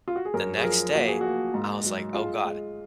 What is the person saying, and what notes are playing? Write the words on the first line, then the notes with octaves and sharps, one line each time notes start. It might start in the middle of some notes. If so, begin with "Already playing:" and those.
the next day, I was like, "Oh god.
F4
F#4
G#4
F#2 A#4
G#4
F3 A#4
A#3 F#4
G#4
A#3 F#4
G#2
F#3
G#3 F4
G#3